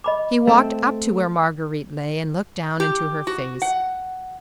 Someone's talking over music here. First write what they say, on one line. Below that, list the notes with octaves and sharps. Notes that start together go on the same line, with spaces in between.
He walked up to where Marguerite lay, and looked down into her face.
D#5 B5 D6
A3 C4
G4
F#4
F#5